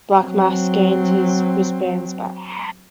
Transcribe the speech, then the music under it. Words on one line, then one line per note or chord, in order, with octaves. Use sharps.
Black Mass gained his wristbands back.
F#3 C4